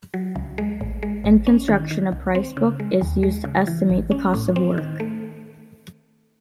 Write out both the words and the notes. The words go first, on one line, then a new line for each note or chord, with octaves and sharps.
In construction a price book is used to estimate the cost of work.
F#3
C#2
G#3
A1
G#3
A1
C#4
D#3
D#3
C2
C4
C#3
G#3
D#2
G#3
C#3
E3
A1
C#4
A2
C4
D#3
A3